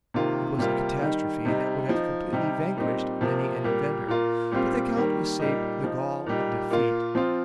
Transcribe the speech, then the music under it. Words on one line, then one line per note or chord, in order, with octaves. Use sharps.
It was a catastrophe that would have completely vanquished many an inventor, but the Count was saved the gall of defeat.
C3 D#3 A#3 F4
C3 G3 A#3 F4
D#3 G3 D#4
C3 G3 D#4
F3 D#4
C3 G3 D#4
A#2 G3 C4 D#4
C3 F3 A#3
A#2 G3 A#3
A#2 A#3 F4
A#2 G3 C4 F4
D#3 G3 A#3
A#2 G3 D#4
F3 D#4
A#2 G3 D#4
A#2 A#3 F4
F3 C4 F4